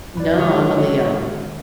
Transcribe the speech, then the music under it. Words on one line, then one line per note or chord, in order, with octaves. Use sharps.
No, I'm a Leo.
E2 B4 D5
D3 D#3 F#3 G#3 G4 C#6 F6